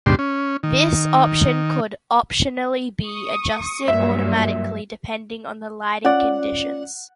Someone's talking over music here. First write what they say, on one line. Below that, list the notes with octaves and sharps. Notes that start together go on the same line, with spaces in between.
This option could optionally be adjusted automatically depending on the lighting conditions.
D#2 G#2 B2 D4 G4 C6
C#4
D#3
C#6 D#6
G2 A#2 F#3 E5
C#4 F4 D5 F#5